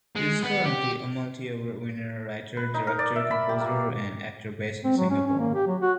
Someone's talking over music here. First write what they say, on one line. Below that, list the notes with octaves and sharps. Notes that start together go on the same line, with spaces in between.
He is currently a multi-award-winning writer, director, composer and actor based in Singapore.
G#3
B3
G4
B4
D#4
A#4
D5
E5
B5
G4
A#3
C4
F#3
C#4
C#4
A#3
G4
F#3
F#4